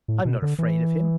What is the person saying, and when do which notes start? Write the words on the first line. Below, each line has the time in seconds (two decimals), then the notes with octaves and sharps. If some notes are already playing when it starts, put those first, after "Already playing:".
"I am not afraid of him."
0.08 A2
0.25 B2
0.42 D3
0.59 E3